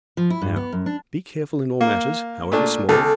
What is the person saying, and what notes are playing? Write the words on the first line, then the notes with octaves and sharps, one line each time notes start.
Now, be careful in all matters, however small.
F3
E4
G2
B3
F#2
D4
A#3
A#2 A3 D4
C#2 A4